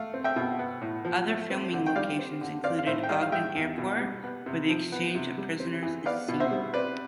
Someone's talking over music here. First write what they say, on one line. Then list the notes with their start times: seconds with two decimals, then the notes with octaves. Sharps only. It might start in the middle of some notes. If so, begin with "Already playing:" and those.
Other filming locations included Ogden Airport where the exchange of prisoners is seen.
Already playing: A3 F5
0.14 C4
0.24 E5 G5
0.36 B2
0.59 B3
0.81 A2
1.05 F3
1.27 A3
1.50 C4
1.73 D3
1.87 G5
1.96 G3 D5 F5
2.19 C4
2.41 D3
2.64 C4 D5 F5
2.79 F5
2.86 A2 C5 E5
3.03 G5
3.10 G3 D5 F5
3.22 F5
3.32 G3 E5 G5
3.55 E2
3.78 B2
4.01 G3
4.24 B3
4.46 C3
4.69 F3
4.92 B3
5.15 C3
5.38 G3
5.60 C4
5.83 E3
6.06 B3 D5 F5
6.28 B2
6.40 C5 E5
6.51 G3
6.74 C4 B4 D5